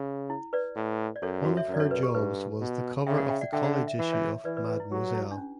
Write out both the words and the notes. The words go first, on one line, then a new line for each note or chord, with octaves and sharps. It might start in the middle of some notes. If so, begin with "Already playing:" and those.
One of her jobs was the cover of the college issue of "Mademoiselle".
Already playing: C#3
E4
B4 D5
A2
D5
F#2 A4 C#5
F#4
C#5 E5
F#2
D5
A4 C#5
B4
G4
G2 B4
B2
C#3 E5 G5
D5 F#5
E5 G5
D5 F#5
D3 E5 G5
D5 F#5
E5
E3 F#5
C#5 E5
E3 B4 D5
B4 D5
B4
E4
F#3 G4
E4
D4
C#4